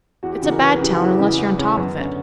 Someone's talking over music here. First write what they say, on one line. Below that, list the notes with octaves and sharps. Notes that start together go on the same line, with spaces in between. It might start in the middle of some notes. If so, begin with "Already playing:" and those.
It's a bad town unless you're on top of it.
E2 F#4
G4
C#3 E3 F#4
A#4
E2 B4
A#4
C#3 E3 G4
F#4
E2 E4
C#3 E3
E2
C#3 E3 C#4
F#2 B3
D3 C#4